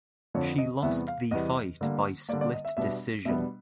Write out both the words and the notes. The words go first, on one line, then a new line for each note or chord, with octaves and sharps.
She lost the fight by split decision.
F2 D3 F3 C#5
D#5
E2 C3 E3 G3 B3 E5
F5
E2 C3 E3 G3 B3 D#5
D3 G3 A#3
D3 G3 A#3 D5
D5
D#5
E5
B2 G3 B3 D4 E5
B2 G3 B3 D4 E5